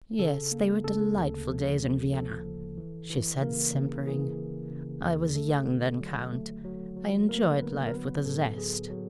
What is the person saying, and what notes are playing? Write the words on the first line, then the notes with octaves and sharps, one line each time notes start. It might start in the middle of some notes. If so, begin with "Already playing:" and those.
'Yes, they were delightful days in Vienna,' she said, simpering; 'I was young then, Count; I enjoyed life with a zest.'
C#3 A4
A#3
C#3 A4
D2
F3
F3
F3 A4
F3
E3
E3
C#3 A#3 A#4
C#3
E3 G#4
E3
C#3
D#2
A3 A4
D3
F#3
A3
F#3
F#3
A3 A#3 A#4
D3 B3 B4
A#4
F#3 B3 B4
A2 A4
F#3 G#4
F#3